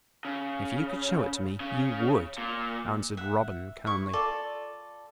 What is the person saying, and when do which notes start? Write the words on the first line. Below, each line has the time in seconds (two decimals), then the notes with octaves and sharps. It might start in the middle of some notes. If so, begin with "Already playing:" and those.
"If you could show it to me, you would," answered Robin, calmly.
0.25 C#3
1.60 C#3
2.38 A#2
3.17 E5 F#5
3.86 E4 C#6
4.13 F4 A4 D5